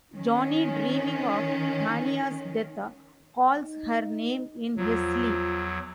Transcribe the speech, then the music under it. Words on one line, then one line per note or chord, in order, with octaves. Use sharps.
Johnny, dreaming of Tanya's death, calls her name in his sleep.
D#3 C#4
D#4
E2 F3 F#3